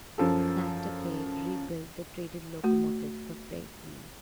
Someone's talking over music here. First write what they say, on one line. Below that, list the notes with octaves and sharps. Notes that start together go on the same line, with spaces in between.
Santa Fe rebuilt the traded locomotives for freight use.
F#2 F3 A4
A3 F#4